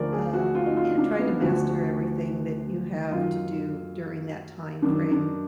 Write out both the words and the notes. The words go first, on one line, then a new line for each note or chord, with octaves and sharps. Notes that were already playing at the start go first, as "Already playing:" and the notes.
um, you know, trying to master everything that you have to do during that time frame,
Already playing: D2 D3 F3 A#4 D5
G#4
F#4
F4
D#4
F4
D4
B3
D2 D3 F3 F#4
F#2 D#3 F4
F#2 D#3 D4
D4